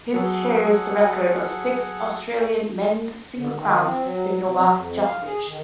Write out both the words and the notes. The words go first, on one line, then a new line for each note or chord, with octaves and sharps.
His shares the record of six Australian men's singles crowns with Novak Djokovic.
F#3 G#4 A4 F#5
D3
D#3
C4
F#3
C3
F#3
F2
F5
G#4
D#3